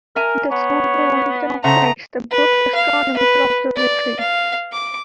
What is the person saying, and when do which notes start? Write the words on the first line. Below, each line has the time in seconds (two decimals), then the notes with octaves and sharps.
The school owns and operates the Brooks Astronomical Observatory.
0.16 A#4 E5 G#5 A#5
0.51 B3 C#5
1.64 C#3 A3 C5 E5 F#5 A#5
2.31 B4
2.75 F5
3.17 B4
3.76 D5
4.19 F5
4.72 D6